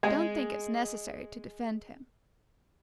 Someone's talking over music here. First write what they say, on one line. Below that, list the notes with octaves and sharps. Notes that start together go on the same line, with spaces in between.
Don't think it's necessary to defend him.
G#3 G#4